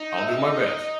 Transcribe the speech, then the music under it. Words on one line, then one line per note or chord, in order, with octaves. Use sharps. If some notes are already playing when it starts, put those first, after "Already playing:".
I'll do my best.
Already playing: D#4
E5
D#5